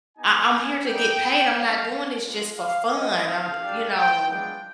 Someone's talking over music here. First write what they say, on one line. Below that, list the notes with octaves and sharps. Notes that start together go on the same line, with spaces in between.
I I'm here to get paid. I'm not doing this just for fun. I you know?
B3 D#4 G4 G#5
G3 B3 D#4 G5
G3 B3 D4 F5
G#3 B3 D4 F4
F5
G3 B3 F4 D#5
F5
G3 D4 G4
G5
G#3 B3 D4 F4 G5